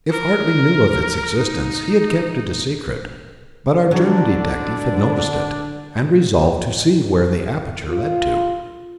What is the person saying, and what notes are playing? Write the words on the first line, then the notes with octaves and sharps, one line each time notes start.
If Hartly knew of its existence, he had kept it a secret, but our German detective had noticed it, and resolved to see where the aperture led to.
A#4
D#4
D3 F#3 D4
F4